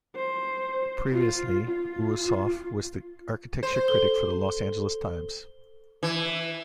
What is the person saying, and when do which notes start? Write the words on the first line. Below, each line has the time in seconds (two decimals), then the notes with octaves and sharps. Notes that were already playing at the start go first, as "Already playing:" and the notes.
Previously, Ouroussoff was the architecture critic for the "Los Angeles Times".
0.16 C5
1.12 F4
1.67 F4
3.63 C5
3.88 A4 G7
6.03 E3